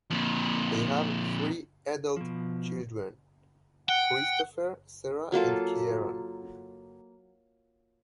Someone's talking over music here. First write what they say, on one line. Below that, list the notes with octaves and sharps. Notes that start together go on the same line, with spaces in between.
They have three adult children - Kristopher, Sara, and Kieran.
F2 A#2
B2 F3
F#5 G5
F#3 A#3 F4 A4